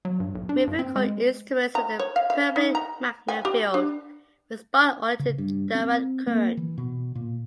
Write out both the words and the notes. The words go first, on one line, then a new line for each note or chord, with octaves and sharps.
Moving-coil instruments with a permanent-magnet field respond only to direct current.
F#3
G2
B1
D4
G2
C4
G#3
A#5
C#5
F5
F5
D#4
A#5
G#5
G4
D4
C#3
G2
C4
A#3
E3
B2
A#2